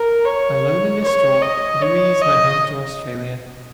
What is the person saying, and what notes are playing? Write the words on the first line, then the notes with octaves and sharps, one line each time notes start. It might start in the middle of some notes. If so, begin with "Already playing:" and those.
Alone and distraught, Louise went home to Australia.
Already playing: A#4
C#5
C#5
D#5
C#5
D#5